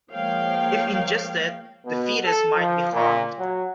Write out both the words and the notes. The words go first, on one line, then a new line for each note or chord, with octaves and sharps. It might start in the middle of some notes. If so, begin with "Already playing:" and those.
If ingested, the fetus might be harmed.
F3 G#3 A#3 C#5 F5 G5
B2
A4
F3
A#2
F#3